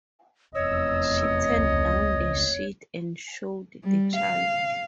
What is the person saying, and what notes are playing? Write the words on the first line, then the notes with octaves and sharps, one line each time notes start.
She turned down the sheet and showed the child.
F1 E2 C#5 D#5 E6
C#2
G3
F5